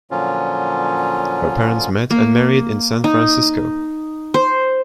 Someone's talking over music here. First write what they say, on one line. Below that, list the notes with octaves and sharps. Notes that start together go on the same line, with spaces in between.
Her parents met and married in San Francisco.
A#2 D3 F3 F#3 C#4 F4
A#3
D#4
C5